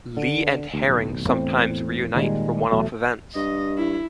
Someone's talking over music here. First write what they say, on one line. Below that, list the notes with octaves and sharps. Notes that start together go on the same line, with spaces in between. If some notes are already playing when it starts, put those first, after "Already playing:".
Lee and Herring sometimes reunite for one-off events.
D3
D2
D1 B1
E2 A2 C4
A#2 D#3 G3 G#3
E2 B2 F#3 A3
G2 D#5
E4